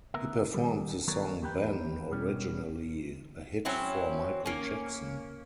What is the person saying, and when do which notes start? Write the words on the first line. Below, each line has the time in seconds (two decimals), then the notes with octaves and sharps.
He performed the song "Ben", originally a hit for Michael Jackson.
0.14 D2 B3 A#4 E5
0.54 D#3 G3
1.07 D#3 F#3 B3 A4 A#4 C#5
1.42 E2 G4 A#4 B4 G5
2.11 B2 G3 C#4 G4
3.65 F#3 C4 C#4 E4
4.46 A#3 C#4